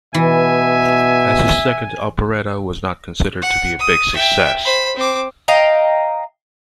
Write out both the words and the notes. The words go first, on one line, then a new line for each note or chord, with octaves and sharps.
As his second operetta was not considered to be a big success.
B2 E3 E5 G#5
F#5
D#6
E5 G5
C5 B5
C4 D6
D#5 F5 G5 A#5